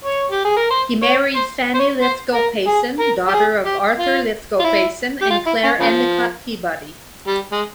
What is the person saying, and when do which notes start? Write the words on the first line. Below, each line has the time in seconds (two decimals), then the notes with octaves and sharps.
He married Fannie Lithgow Payson, daughter of Arthur Lithgow Payson and Claire Endicott Peabody.
0.05 C#5
0.31 G4
0.44 G#4
0.57 A#4
0.70 C5
1.03 C#5
1.35 C5
1.75 C5
1.79 C#5
2.02 C5
2.35 A#4
2.68 G#4
3.00 A#4
3.29 G4
3.34 G#4
3.66 G4
3.99 F4
4.60 F4
4.64 E4
5.22 G4
5.30 F4
5.47 E4
5.64 C#4
5.80 C#3 F3
7.27 G3
7.52 G#3